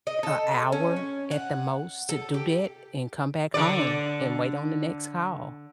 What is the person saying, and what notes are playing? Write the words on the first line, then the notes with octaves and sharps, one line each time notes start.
a hour at the most to do that, and come back home, and wait on the next call.
D#5
A4
C#4
C#4
F#5
A4
G4
D3 D5